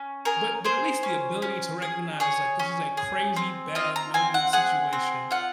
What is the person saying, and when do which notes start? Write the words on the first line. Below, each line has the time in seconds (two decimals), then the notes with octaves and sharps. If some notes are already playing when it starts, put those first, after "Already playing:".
But but at least the ability to recognize, like, this is a crazy bad, no good situation,
Already playing: C#4
0.25 G#4 A#4
0.64 G#4 C5
1.03 C#4
1.42 C#4
1.82 G#4
2.20 G#4 C#5
2.59 C#4
2.97 G#4
3.36 C4
3.75 F4 D#5
3.96 A#5
4.14 C4 G#5
4.34 F#5
4.53 G#4 F#5
4.93 C4
5.31 F4 F#5